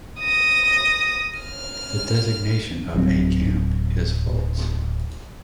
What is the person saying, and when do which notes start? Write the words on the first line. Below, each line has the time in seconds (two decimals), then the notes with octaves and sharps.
The designation of "a camp" is false.
0.21 D#6 A#6
1.40 F6
2.95 D1 G2 F#3 C4